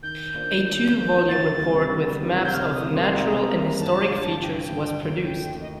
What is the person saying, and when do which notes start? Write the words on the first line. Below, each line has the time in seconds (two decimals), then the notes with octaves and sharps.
A two-volume report with maps of natural and historic features was produced.
0.02 D#3 G6
0.34 A#3 D4 F4 C5
0.65 D#3 G6
0.97 A#3 D4 F4 C5
1.28 D2 A6
1.60 C3 D#3 G3 C4
1.91 D2
2.23 C3 D#3 G3 C4
2.45 G6
2.54 C2 F6
2.74 D#6
2.85 C3 G3 A#3
2.96 C6
3.17 C2 A#5
3.48 C3 G3 A#3
3.79 G2 A5
4.11 D3 F3
4.41 G2 G5
4.74 D3 F3
5.05 D#2
5.37 D#3 A3 D#4
5.62 D#5